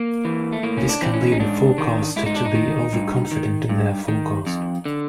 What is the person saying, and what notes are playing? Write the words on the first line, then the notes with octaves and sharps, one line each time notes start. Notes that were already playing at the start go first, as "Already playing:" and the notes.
This can lead the forecaster to be overconfident in their forecast.
Already playing: A#3
E3
A3
A2 A#3
C#4
D4
E3 C4
C#4
D#4
G#2 D4
D#3
G#2 E4
D#4
D4
D#4
D#3
G2
D#3
G2
D#3
F2
D3